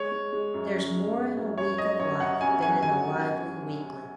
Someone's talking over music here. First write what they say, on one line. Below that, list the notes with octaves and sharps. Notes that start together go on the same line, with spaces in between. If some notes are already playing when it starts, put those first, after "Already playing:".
There's more in a week of life than in a lively weekly.
Already playing: G#3 C#5
G#3
G#3
F#2
C#3
G#3
F#2
F#2
F#2 C#5
F#3 D#5
F#2 C#5
F#2 F#5
F#2 G#5
F#3 G#5
F#3 G#5